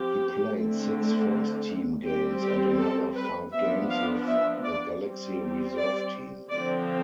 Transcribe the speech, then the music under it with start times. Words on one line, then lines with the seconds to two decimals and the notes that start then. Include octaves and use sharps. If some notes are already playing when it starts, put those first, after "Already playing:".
He played six first-team games and another five games with the Galaxy reserve team.
Already playing: F3 C4 G4
0.56 D3 A3 C4
2.05 G3 C4 G4
2.41 G4
2.79 A4
3.16 B4
3.53 F3 B3 D4 E5
3.90 F5
4.27 E5
4.64 D5
5.02 G3 C4
5.76 D5
6.50 D3 F3 C4 D5